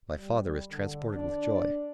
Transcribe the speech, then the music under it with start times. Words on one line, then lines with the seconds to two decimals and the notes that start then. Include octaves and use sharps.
My father is transported with joy.
0.15 G3
0.70 D3
1.10 D4